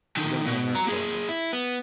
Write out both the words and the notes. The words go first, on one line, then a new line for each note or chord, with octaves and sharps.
You don't know Mariposa.
D3 D#3
B2
F#4 A#5
A#3 G#4
E4
B3